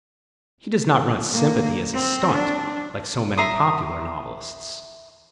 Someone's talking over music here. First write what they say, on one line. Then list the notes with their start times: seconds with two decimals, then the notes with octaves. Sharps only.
He does not run sympathy as a "stunt" like so many popular novelists.
1.32 A#3
1.94 C4
2.32 D4
3.38 E5 A#5 C6 D#6